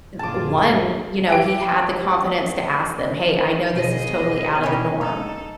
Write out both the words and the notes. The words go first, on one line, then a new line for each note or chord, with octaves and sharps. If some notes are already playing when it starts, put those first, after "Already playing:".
th one, you know, he had the confidence to ask them, "Hey, I know this is totally out of the norm
F#2 A#2 D3 F4 G#4 A5 D6
G4 D7
B2 G#4 D#5
G3 C#4
D#4 A4